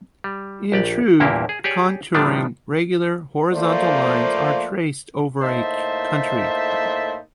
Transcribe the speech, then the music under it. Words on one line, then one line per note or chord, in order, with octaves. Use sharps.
In true contouring regular horizontal lines are traced over a country.
G3
A#1 G4 D5
E2 G2 A#2 A#3 E4 G4
G#4
G4 G#4 C#5 D5
A2 D#3 F3 G3 B3 D4
F3 A3 A#3 C5 D5
A2 A#3 D#4 C5 E5 A5